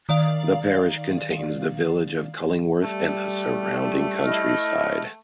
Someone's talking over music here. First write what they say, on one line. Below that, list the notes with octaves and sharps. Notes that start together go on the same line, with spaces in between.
The parish contains the village of Cullingworth and the surrounding countryside.
D#3 D5 F5
G3 A3
E4 D#5 F6